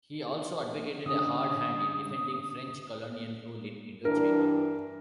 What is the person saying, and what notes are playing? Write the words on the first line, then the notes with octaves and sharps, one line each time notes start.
He also advocated a hard hand in defending French colonial rule in Indochina.
D3 C#4 D#6
G2 E3 D4 A#4